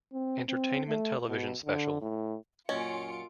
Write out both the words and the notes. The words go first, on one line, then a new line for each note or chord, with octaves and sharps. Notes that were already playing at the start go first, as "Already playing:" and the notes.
Entertainment Television special.
C4
C4
A3
B2
D3
A2
F#2 A#2 C#4 F4 D#5 C#7 D7